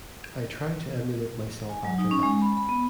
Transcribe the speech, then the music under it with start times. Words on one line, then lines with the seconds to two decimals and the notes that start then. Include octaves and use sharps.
I try to emulate myself after that.
1.69 G#5
1.85 F#3
1.98 D#4
2.11 C#4
2.23 G#3
2.42 B5
2.57 B5
2.69 B3